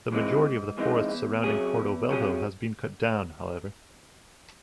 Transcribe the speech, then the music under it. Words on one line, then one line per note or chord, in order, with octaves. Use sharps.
The majority of the forest surrounding Porto Velho has been cut down, however.
E3 G#3 C4 D#4
G#2
E3 G#3 C4 D#4
E2
C3 F#3 C#4 G#4
E2
C3 F#3 C#4 G#4